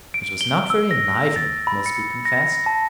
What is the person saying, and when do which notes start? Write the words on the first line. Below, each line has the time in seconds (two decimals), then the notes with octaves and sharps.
It was not very enlivening, it must be confessed.
0.14 D7
0.41 G7
0.70 E6
0.91 A#6
1.36 A6
1.67 B5
1.86 C#7
2.25 A#6
2.66 A5